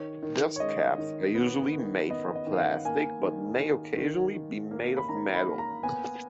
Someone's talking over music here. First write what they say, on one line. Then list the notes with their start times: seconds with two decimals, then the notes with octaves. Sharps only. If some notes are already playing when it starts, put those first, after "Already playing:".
Dustcaps are usually made from plastic but may occasionally be made of metal.
Already playing: D#3 C#5
0.23 D#3
0.56 C#5
0.60 G#3 D#5
0.98 D#3
1.35 B3
1.72 D#3
2.10 B3 D#5
2.35 D#5
2.47 D#3
2.53 F5
2.60 F#5
2.85 A#3 G#5
3.21 D#3
3.59 D#3
3.97 D#3
4.35 D#3
4.71 A#3
4.97 B5
5.09 D#3 A#5
5.34 B5
5.46 A#3
5.58 A#5
5.83 B3 G#5